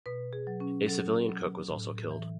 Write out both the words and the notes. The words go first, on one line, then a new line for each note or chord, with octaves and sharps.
A civilian cook was also killed.
B2 B4
G#4
F#3
C#4
F#3 A4
F#3
A2
E3